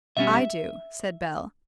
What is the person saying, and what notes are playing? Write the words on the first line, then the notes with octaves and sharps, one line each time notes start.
"I do," said Bell.
B2 G3 C#4 E5